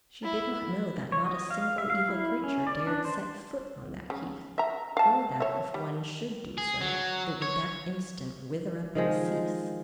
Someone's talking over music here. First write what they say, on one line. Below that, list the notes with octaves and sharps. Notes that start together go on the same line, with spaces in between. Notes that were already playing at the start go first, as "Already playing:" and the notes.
She did not know that not a single evil creature dared set foot on that heath, or that, if one should do so, it would that instant wither up and cease.
E4
C#5
D#5
F5
E5
F5
E4
C#4
D5
D4
C5
C#3
E5 A#5
F5 A5
C#5 E5
G3
G#4
F#3
C#5
D#3 F3 G#3